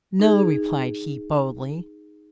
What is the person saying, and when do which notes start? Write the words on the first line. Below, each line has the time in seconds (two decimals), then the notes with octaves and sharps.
'No,' replied he, boldly.
0.20 D#4 G#4